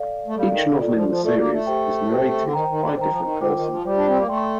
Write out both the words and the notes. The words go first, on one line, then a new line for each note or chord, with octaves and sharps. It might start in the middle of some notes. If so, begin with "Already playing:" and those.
Each novel in the series is narrated by a different person.
Already playing: A4 D5 F5
A3
G3 A4 D5 F5
D#3
D3
D#3 F4 A4 D5
F3
F3
A3 F4 A4 D5
A#3
A3
G4 C5 G5
G4 C5 G5
D3
D#3 C5 G5 A#5
D#3
D3
D#3 C5 G5 A#5
F3
D#3
D3 F4 C5 G5 D6
D#3
F3
G3 F4 C5 G5 D6
D4
C4
A#3
A3 A4 D5 G5 C6